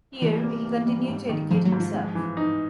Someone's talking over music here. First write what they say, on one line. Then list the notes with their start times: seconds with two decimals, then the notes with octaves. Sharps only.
Here he continued to educate himself.
0.22 E3 G3
0.44 A#3
0.65 A#3
0.87 G3
1.08 G#2
1.29 D#3
1.51 G#2 F3
1.65 F#3
1.72 G#2
1.80 F3
1.94 G#3
2.15 E3
2.37 D#4